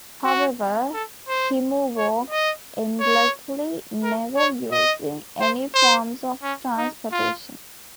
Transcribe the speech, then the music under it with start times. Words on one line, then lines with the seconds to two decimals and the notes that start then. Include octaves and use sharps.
However, Himu walks endlessly - never using any forms of transportation.
0.24 F#4
0.93 A4
1.28 C5
1.97 C#5
2.30 D#5
3.00 C#5
4.03 A#4
4.37 C#5
4.72 D#5
5.40 C5
5.74 C5
6.43 C#4
6.77 D#4
7.12 F4